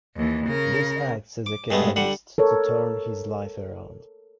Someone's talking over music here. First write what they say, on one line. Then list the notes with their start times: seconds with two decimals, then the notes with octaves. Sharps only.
This acts as a catalyst to turn his life around.
0.16 D#2 E3
0.47 C#3 A#4
1.46 D6
1.70 G2 G#3 A3 B3
1.96 D3 G3 F#5
2.38 A4 A#4 C#5